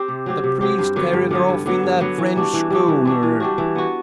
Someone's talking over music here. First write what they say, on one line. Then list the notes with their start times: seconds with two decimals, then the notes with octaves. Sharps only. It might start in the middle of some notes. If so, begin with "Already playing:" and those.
The priest carried her off in that French schooner.
Already playing: C4 G4
0.08 C3
0.26 F#3 C4 G4
0.44 C3
0.61 F#3 C4 G4
0.78 G2
0.96 D3 F#3 B3
1.13 G2
1.31 D3 F#3 B3
1.48 G2
1.66 D3 F#3 B3
1.83 G2
2.00 D3 F#3 B3
2.18 E3
2.36 G3 D4 F#4
2.53 E3
2.70 G3 D4 F#4
2.88 E3
3.05 G3 D4 F#4
3.23 E3
3.40 G3 D4 F#4
3.58 E3
3.75 B3 F#4